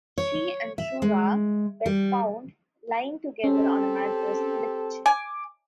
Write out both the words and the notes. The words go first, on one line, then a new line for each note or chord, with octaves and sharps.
She and Shura were found lying together on a mattress in the kitchen.
C#5
E5
G#3
G3
C4 C#4 G4 A4
G#5 D6